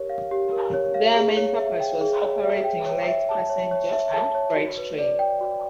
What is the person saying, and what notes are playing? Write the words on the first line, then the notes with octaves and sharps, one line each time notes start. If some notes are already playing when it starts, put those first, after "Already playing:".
Their main purpose was operating light passenger and freight trains.
Already playing: G4 A#4 C#5
F5
G4
A#4
C#5
F5
G#4
C#5
E5
G5
G#4
C#5
E5
G5
C#5
E5
A5
C#5
C#5
E5
A5
C#5
F#4
B4
D5
G5
F#4